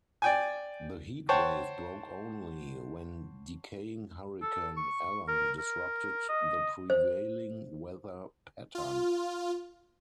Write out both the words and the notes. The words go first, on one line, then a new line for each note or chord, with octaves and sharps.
The heat wave broke only when decaying Hurricane Allen disrupted the prevailing weather pattern.
D5 G5 G#5
C5 C#5 F#5 G5 A5 C#6
A4
C#6
A#4
A#4
D#5
C5
F4